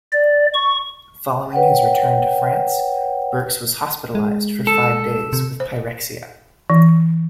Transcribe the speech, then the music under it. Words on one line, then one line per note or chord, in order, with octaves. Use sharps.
Following his return to France, Birks was hospitalised for five days with pyrexia.
D5
C#6
B4 C#5 F#5 G5
G#3
A4
C3
C5
E3